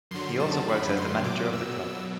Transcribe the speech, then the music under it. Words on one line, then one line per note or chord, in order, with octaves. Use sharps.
He also works as the manager of the club.
F#2 D3 F#3 C6
A5
B5
C6
B2 F#3 D6
E6